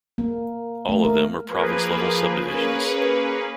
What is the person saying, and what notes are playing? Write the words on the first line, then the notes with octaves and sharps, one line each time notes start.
All of them are province-level subdivisions.
A#3
A3
A#4
F3 A#3 G#4 B4
A#3 C#4 G#4 B4